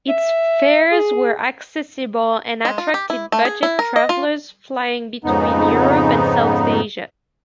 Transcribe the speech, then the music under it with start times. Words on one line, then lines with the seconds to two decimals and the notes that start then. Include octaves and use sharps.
Its fares were accessible and attracted budget travellers flying between Europe and South Asia.
0.09 E5
0.92 G#4
2.65 G#3
2.78 F4
2.94 G4
3.10 E4
3.32 A3
3.45 G#4
3.63 E4
3.79 A#4
3.96 D#5
4.09 F4
5.24 F2 G#2 C#3 B3 D#4